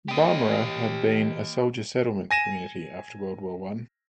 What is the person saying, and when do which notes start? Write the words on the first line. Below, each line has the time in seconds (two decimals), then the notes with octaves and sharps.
Barmera had been a soldier settlement community after World War One.
0.09 G4 D#5
2.31 G#5 A#6 D#7 E7